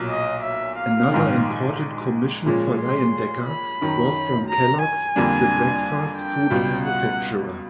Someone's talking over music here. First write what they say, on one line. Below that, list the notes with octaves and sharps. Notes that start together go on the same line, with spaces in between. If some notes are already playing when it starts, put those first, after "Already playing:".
Another important commission for Leyendecker was from Kellogg's, the breakfast food manufacturer.
Already playing: B1 A#2 F#3
D#5
E5
F5
A#1 G#2 D#3
A#2 F3 G#3 C#4
C6
B5
F#2 D#3 F#3
A#5
G#5
F2 D3 G3 A#3 D4
G5
C#2 B2 G3
F#5